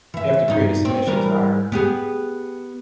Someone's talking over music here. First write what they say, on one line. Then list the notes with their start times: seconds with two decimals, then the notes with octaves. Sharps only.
you have to create a submission to the IRB.
0.14 E3 E5
0.48 G2 D#4
0.85 C4
1.07 E3 G3 A#4
1.72 B3 G4 G#4